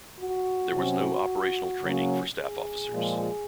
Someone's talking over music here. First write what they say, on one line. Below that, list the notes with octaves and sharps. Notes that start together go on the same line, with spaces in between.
There was no operational training for staff officers.
F#4
C3 F#3 C#4
C#3 F#3 A#3 C#4
G#4
A#2 F3 G#3